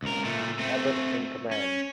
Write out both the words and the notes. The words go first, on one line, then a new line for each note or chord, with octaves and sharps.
Ebert in command.
C#2 A#4
A#2 A3
A3 C4
C#4